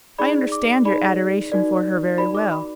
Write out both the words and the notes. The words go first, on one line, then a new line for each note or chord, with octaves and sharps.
I understand your adoration for her very well.
D#4 G#4 D5 B5
D6
D#4 G#4 D5 B5
D#4 F#4 A#4 D5
D#4 F#4 A#4 D5 B5
D6
B5